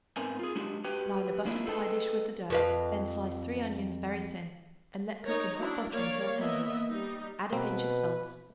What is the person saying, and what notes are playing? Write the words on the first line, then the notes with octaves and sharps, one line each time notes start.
Line a buttered pie-dish with the dough; then slice three onions very thin and let cook in hot butter until tender; add a pinch of salt.
G#2 B3 C4 A#4 G#5
F4 G#4
G#3 D4 F#4 G4
F#4 G4 B4 G5
G#3 A#3 D4 E4 F4 E5
G#4 A4 B4 D#5 G5 A5
F2 B4 F5
D#4 A#4 C#5 A#5
D4 E4 F#4
A#3 A#4 C#5 D5 F5
A#3 B3 D#5 E5
G3 D#4
B2 A#3 C4 B4